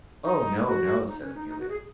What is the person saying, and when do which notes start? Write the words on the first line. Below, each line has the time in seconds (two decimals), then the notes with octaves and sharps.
'Oh no! no!' said Amelia.
0.24 D#4
0.66 F#4
1.07 D#4
1.21 C#4
1.35 D#4
1.48 D#4
1.59 F#4
1.69 G#4